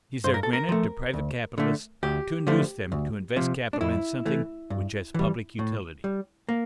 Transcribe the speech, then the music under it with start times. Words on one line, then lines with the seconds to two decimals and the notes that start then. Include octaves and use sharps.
These are granted to private capitalists to induce them to invest capital in something which has public utility.
0.24 G2 C5
0.34 A#4
0.43 A4
0.53 A#4
0.69 F3 A3
1.14 D2
1.58 D3 A3
2.03 D2 G4
2.47 D3 F3 A3
2.92 D2
3.36 C3 F3
3.73 D4
3.81 F2 E4
4.26 E3 A3
4.70 G2
5.14 E3 G3
5.59 A2
6.04 G3
6.49 A#3